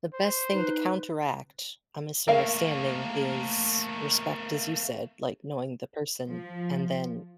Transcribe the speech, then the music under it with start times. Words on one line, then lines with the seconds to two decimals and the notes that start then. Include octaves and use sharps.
the best thing to counteract a misunderstanding is respect, as you said- like, knowing the person and then
0.14 C5
0.54 D#4 B4
2.28 A3 A#3 A#4 F5
6.26 F3